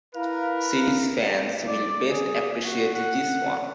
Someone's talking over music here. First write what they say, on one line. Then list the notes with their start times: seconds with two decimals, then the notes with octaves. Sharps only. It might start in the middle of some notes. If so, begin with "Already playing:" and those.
Series fans will best appreciate this one.
0.15 E4 A#4 B4 F5
1.67 D5
2.10 G#4
2.64 F#4
2.95 F#5